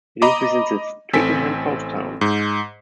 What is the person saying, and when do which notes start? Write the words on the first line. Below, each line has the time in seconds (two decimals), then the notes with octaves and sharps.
It is within the Twickenham post town.
0.22 D#5 A#5 B5 D6
1.13 A1 C4 A4 G#5 B6
2.21 G#2